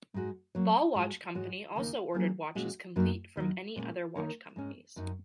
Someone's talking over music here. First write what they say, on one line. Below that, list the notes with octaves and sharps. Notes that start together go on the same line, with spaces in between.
Ball Watch Company also ordered watches complete from other watch companies.
G#2 G#3 F#4
F#3 A#3 F#4 C#5
G#2 G#3 F#4
G#2 G#3 F#4 C#5
D#2 C#3 A#3 D#4
F#3 A#3 C#4 G#4
A#2 G#3 C#4 F#4
F#2 F#3 A#3 D#4
D#2 D#3 F#3
A#2 G#3 C#4
D#3 A#3 D#4 A#4 C#5
G#2 G#3 C#4
F#2 F#3 D#4